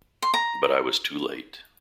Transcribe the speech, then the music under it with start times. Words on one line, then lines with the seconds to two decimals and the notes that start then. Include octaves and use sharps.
But I was too late.
0.22 C6
0.34 A#5